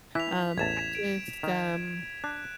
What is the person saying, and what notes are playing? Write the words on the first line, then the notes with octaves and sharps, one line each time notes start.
Um, I just, um
E3 E4 B4 B6 F7
A1 E2 A5 G#6 E7
D7
D#3
D4 F#6